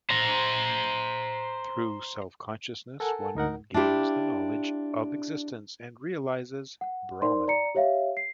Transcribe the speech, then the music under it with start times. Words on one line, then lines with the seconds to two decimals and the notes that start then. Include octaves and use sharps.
Through Self-consciousness one gains the knowledge of existence and realizes Brahman.
0.10 C5 A#5
3.00 A4 A#4 F#5 G#5 A5
3.35 D2 D#4 A#4 F#5
3.74 D4 E4 F4 G4
6.81 F#5
7.22 D#4 A#4 C5 D5 C6
7.48 D5 A#5 C#7
7.75 G4 C#5 E5 F5
8.17 C7